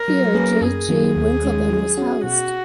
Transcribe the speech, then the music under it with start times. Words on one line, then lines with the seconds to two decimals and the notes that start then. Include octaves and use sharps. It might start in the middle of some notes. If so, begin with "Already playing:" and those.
Here J. J. Winckelmann was housed.
Already playing: A#4
0.08 F#3
0.34 A#3 C#4 G#4 B4
0.61 F#2 G#4
0.89 D#3 F#3 A#3
1.16 D#2
1.43 D#3 G#3 C#4
1.70 F#3
1.97 C#4 F#4
2.24 B2 F#4